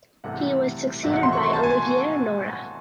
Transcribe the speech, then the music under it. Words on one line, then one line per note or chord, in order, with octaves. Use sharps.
He was succeeded by Olivier Nora.
C2 C3 E3 A3 F#5
E2 C3 D#3 F#3 A3 E5
F#5
C6
C#6
C6
A5
G#5